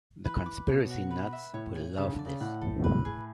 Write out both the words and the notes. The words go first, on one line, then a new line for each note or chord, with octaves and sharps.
The conspiracy nuts will love this.
E3 B4
D6
B2 C#5
F#4
B4
E5
A2 C#5
G#5
C#3 A5
D3
D5
C#3
A2 F#5
A4
B4
G#4